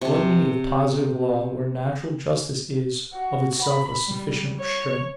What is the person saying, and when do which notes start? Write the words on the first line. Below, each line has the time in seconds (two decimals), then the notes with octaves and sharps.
What need of positive law where natural justice is, of itself, a sufficient restraint?
0.01 C3 A5
3.15 F#4
3.63 B5
4.05 G3
4.60 C#5